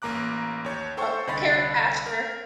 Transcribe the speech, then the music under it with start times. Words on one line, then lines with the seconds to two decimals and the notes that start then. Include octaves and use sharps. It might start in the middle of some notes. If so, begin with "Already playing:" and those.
Oh, a carrot pasture.
0.02 A1 A#3 A#5 D6 F#6
0.64 D#2 C#5 G6
0.97 A4 C5 G5 C6 C#6
1.27 C2 D3 D#5 B5 A6 B6
2.06 A#4